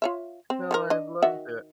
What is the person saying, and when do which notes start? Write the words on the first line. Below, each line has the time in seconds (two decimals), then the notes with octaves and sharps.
No, I've loved it.
0.02 F4 C#5 E5
0.50 C4
0.71 D#3 G4 A#4
0.90 D4 D#5
1.22 D#3 F#4 E5